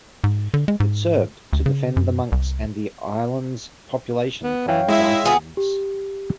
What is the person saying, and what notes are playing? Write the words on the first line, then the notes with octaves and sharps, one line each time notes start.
It served to defend the monks and the island's population from the Vikings.
G#2
D3
G#3
G#2
D2
C#3
F#2
C2
B3
E3 C#5 F5 G5
G#3 E4 E5
B3 F4 G#4
G4